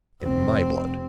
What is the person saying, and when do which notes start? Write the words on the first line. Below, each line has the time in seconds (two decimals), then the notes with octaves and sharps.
In my blood!
0.22 F1 C4